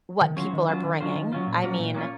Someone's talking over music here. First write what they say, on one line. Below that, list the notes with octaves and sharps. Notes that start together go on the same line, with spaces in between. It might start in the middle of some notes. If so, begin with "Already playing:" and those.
what people are bringing. I mean,
D#3
F#3 C#4 F4 C5
D#3
F#3 C#4 F4 C5
D#3
F#3 C#4 F4 C5
D#3
F#3 C#4 F4 C5
A#2
F#3 A#3 C#4 F4
A#2
F#3 A#3 C#4 F4